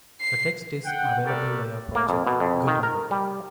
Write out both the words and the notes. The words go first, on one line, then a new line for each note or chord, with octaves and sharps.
The text is available via Project Gutenberg.
C7
F#5 G5
G3 F#4 G4 A4 A#4 D5
A#3
F2
B2
F2
D#3
A#4
G3